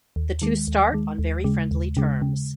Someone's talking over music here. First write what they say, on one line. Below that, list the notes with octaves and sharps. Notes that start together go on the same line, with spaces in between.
The two start on very friendly terms.
D#2
D#3 G#3
D#2
D#3 G#3
D#2
C#3 G#3
D#2
C#3 G#3
C#3